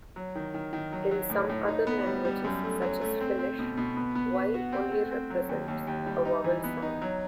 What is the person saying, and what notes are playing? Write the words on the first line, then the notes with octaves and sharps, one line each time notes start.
In some other languages, such as Finnish, "y" only represents a vowel sound.
F#3
D#3
D#3
D#3
F#3
F#3
A2
A2
D#4
B3
G3
G3
F#2
A3
F#3
A3
C4
C4
B2
B2
B3
B3
B4
F#4
C4
A3
C4
F#3
D#2
D#2
D#2
G3
D#4
E3
B3
D#4
F#3